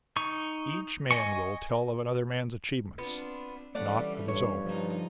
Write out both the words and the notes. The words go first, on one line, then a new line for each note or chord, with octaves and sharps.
Each man will tell of another man's achievements, not of his own.
D#4 C#6
D#5 G#5 C#6
B3 C4 D4 F4
E3 G3 A3 C#4 D5 F5 F#5
G2 C#5
D3 F3 D#4